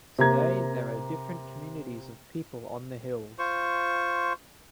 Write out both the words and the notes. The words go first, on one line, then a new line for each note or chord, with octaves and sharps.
Today, there are different communities of people on the hills.
C3 A#3 A#5 G#6
F4 C5 C#6